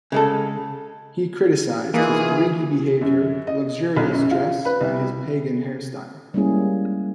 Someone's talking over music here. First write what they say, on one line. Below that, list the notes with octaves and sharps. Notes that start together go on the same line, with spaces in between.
He criticised his greedy behaviour, luxurious dress and his pagan hair style.
C#3 G#3 A4
E3 A#3 D#4 F4 G#4
F#2
D#5
B1
F#2
F4
B4
C2
G3 G#3 A#3 C#4 E4 G#4